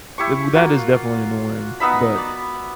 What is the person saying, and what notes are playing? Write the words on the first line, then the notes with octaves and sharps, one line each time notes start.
w that is definitely annoying, but
E4 G4 C#6
A#3 F4 F#4
B3 D#4 E5 B5
D5